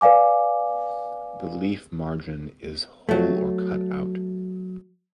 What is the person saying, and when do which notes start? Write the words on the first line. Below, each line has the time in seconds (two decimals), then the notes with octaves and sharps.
The leaf margin is whole or cut out.
0.01 B4 D5 F5 G#5 D6
3.09 F#3 A3